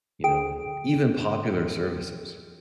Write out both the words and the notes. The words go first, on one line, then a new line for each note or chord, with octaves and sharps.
you know, even popular services.
G#4 G5 D7